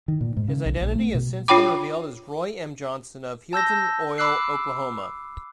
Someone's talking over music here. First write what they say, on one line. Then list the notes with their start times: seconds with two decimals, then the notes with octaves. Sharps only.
His identity has since been revealed as Roy M. Johnson of Healdton Oil, Oklahoma.
0.08 D#3
0.21 A#2
0.37 G#2
0.48 C#3
0.66 B1
0.81 A#1
0.95 A3
1.14 B2
1.48 D4 F4 C#5 G5 B5 D6
3.53 A5 E6 G6 A#6
4.18 B5 D6 E6 F#6 C7